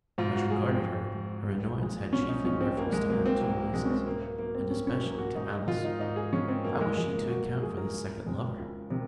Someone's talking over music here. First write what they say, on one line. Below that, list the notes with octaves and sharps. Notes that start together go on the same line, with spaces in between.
As regarded her, her annoyance had chiefly reference to her two nieces, and especially to Alice. How was she to account for this second lover?
G#2 F4
F#4
F3 G#3 G#4
C4
G#2
F3 G#3
C2
A#2 F3 G#3
C2 C#4
D#4
A#2 F3 G#3 C#4
C4
C2 A#3
G#3
C3 F#3 A#3
C4
C2 A#3
A#3
C3 F#3 G#3
C#4
C4
G#2 A#3
A#3
F#3 A#3
C4
G#2 C#4
C#4
F#3 A#3
F#4
G#2 D#4
D#3 G#3 F4
D#4
G#2 D#4
G#4
D#3 G#3 C#4
C4
F#2 A#3
G#3
F3 G#3
A#3
F#2 F#4
F3 G#3 G#4
A#4
C#2
C3 D#3 G#3
C#2
C3 D#3